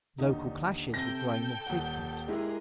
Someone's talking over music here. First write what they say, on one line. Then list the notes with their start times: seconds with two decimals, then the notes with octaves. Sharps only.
Local clashes were growing more frequent.
0.19 D#1 D3 D#4
0.94 C3 A4 G5 G6 A#6
1.66 D#1 F#5
2.28 G#3 E4 G4 G#4 A#4